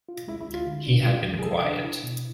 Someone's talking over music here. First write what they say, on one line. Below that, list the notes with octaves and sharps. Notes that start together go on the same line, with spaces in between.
He had been quiet.
F4
G#3 E4
E4
D2
F4
D3
D4
G#3 F4
E2
G#4
C3 A4
D4
E4
B2